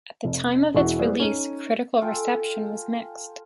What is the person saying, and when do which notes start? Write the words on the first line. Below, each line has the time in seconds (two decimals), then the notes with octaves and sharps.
At the time of its release, critical reception was mixed.
0.25 F1
0.75 E1 E2 E3 E4 F#4 C#6
0.99 G3 B3 E4 G#4 C5
1.20 C#4 D#4 A4 D#7
2.01 F4 A4 G5 G#5